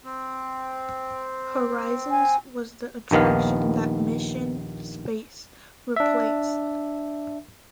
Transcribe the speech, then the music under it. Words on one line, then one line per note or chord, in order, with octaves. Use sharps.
Horizons was the attraction that Mission: Space replaced.
C4
G#5
A#1 D#2 D#3 B3 F5
D4 E5